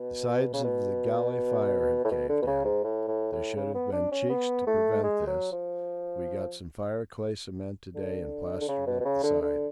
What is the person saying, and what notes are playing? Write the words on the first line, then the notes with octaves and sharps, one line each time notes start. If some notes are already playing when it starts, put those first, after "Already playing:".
The sides of the galley fire have caved in--there should have been cheeks to prevent this; we got some fire clay cement to-day and plastered up the sides.
Already playing: B2
C#3
B2
A2
B2
D3
B2
C#3
G#2
A2
A2
A2
C#3
B3
D4
C#4
B3
A3
G#3
F#3
F3
D3
D3
C#3
B2
B2
C#3
D3
D3